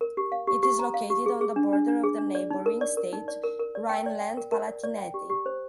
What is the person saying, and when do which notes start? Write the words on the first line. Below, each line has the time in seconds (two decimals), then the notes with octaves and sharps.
It is located on the border of the neighbouring state Rhineland-Palatinate.
0.01 A#4
0.17 G4
0.32 F5
0.47 G4
0.63 G4
0.79 A#5
0.94 F5
1.10 G4
1.26 G#4
1.41 G#4
1.56 D4
1.73 D4
1.88 D4
2.03 G#4
2.18 D4
2.35 D5
2.51 D#4
2.66 A#4
2.81 D5
2.97 A#4
3.13 D#4
3.28 D5
3.43 A#4
3.59 A#4
3.75 D5
3.89 G5
4.06 D5
4.21 G5
4.37 A#4
4.52 A#4
4.68 D5
4.84 D5
4.99 G5
5.14 G4
5.30 G4
5.46 C5